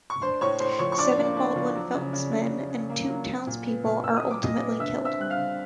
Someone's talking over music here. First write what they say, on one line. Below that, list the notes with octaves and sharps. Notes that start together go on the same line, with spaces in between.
Seven Baldwin-Felts men and two townspeople are ultimately killed.
C#6
D4 C5 C6
A2 C#5 C#6
A2 C5 C6
C6
F3 C#5 C#6
C#6
D4 D5 D6
A#3
D4
F3
F#3
C#3
C#3
C#3
C#3
C#3
A#3
F#3
F#3
A#2
B3
A#2
A#2 E6
D#6
F#3
D6
A#2 D#5 D#6
B3
D3 E5 E6
C4
E5 E6
G3 F#6
F5 F6
D3